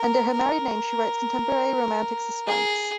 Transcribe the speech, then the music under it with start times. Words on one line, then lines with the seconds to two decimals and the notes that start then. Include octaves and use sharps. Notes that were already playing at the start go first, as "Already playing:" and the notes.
Under her married name she writes contemporary romantic-suspense.
Already playing: A#4
0.34 A#4
2.47 G#4